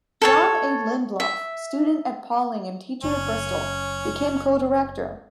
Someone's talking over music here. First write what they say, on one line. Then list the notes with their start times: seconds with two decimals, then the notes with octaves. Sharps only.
John A. Lindlof, student at Pawling and teacher at Bristol, became Co-Director.
0.22 A4 C#5 A5
1.20 E5
3.03 F#1 C#4